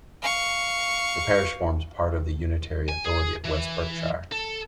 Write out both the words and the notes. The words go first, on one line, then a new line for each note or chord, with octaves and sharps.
The parish forms part of the unitary authority of West Berkshire.
F5 C#6
G#5
G#4
E3
A4